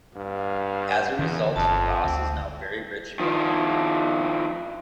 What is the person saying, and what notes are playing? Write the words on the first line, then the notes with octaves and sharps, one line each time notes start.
As a result, Ross is now very rich but old.
G2 F5
E2 D3 E3
G1 F2 A5
D2 C4
D#3 F3